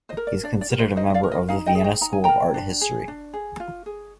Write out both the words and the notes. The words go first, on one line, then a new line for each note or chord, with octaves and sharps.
He is considered a member of the Vienna School of Art History.
C5 D#5
A#4
D5
D4 D5
D5
G4 A#4
C5 D#5
D#4 C5 D#5
D#5
D5 F5
A#4
D#5 G5
D#4 F5 G#5
D#5 G5
G#4
D#5 G5
D#4 A#5
G#5
A#4 G5 A#5
D4
G#4
D4
G#4
F4
G#4